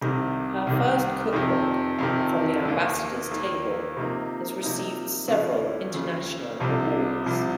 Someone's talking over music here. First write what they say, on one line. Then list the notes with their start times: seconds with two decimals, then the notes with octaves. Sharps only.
Her first cookbook, "From the Ambassador's Table", has received several international awards.
0.01 C2 C3 D#3
0.67 C2 C3 D#3
1.33 F2 C3 D#3
1.98 F2 C3 D#3
2.65 D#2 D#3 A#3
3.31 D#2 D#3 A#3
3.97 C3 F3 A#3 D#4
4.63 C3 F3 A#3 D#4
5.28 D#2 C#3 F3
5.94 D#2 C#3 F3
6.60 C2 C3 F3
7.26 C2 C3 F3